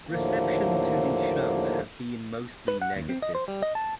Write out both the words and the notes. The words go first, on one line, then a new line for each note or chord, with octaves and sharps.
Reception to the show has been mostly negative.
D#2 A2 D3 F3 A#3
B4
F#5
D#2
C4
D#5
C5
G3
D#5
A5